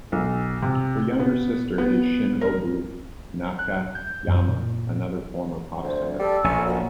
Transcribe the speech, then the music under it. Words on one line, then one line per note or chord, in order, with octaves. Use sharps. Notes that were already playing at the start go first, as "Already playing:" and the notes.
Her younger sister is Shinobu Nakayama, another former pop singer.
B1
C3
B3
B3
A#4
F#6
G6
F#2
A#2
D2 C5
G3 A4
A#1 C#4
F#2 F#4